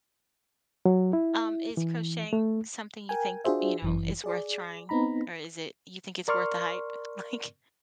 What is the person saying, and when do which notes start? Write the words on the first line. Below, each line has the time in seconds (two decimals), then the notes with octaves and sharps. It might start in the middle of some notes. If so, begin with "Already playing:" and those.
um, is crocheting something you think, you know, is worth trying, or is it you think it's worth the hype, like,
0.86 F#3
1.13 E4
1.77 E3
2.33 A3
3.09 A#4 G5 G#5
3.44 D4 F4 F#4 G#4 C5 E5
3.82 G1 F#2 E3
4.24 G#4 D5
4.89 B3 C4 D#4 A#5 B5
6.28 A#4 D5 C6 C#6 F6